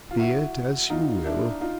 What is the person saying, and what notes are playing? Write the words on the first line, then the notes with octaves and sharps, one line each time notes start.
"Be it as you will."
F4
E4 F#4
D#4 F4
D4 E4
D#4 F4